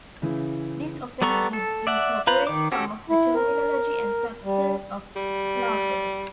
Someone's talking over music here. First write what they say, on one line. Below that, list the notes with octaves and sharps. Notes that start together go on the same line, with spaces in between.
This offence did incorporate some of the terminology and substance of larceny.
C#3 E3 E4
G3 B3 A4 A#5 C#6
A4
D5 E5 F#5
F4 B4 C5 A#5 B5
D#3 D6
C#4 F#4 G4 A4
E4
A#4
G3
G3